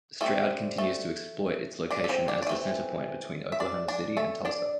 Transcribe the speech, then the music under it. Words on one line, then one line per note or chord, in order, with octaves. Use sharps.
Stroud continues to exploit its location as the centerpoint between Oklahoma City and Tulsa.
G3 A3 C4 A4
A3 A4
D4 D5
A4
C4 C5
D4 D5
D5
E3 A3 C4
E5
D4 D5
D4 D5
A3 A4
D4 D5